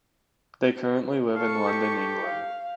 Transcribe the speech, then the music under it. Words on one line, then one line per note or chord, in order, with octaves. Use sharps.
They currently live in London, England.
A4 F5 C#6
G4
F5